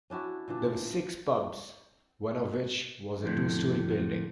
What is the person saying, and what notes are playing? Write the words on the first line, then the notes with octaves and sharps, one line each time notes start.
There were six pubs, one of which was a two-storey building.
C#4 D4 E4 F#4
A#2 D3 E3 D4
C5
F2 A2 D3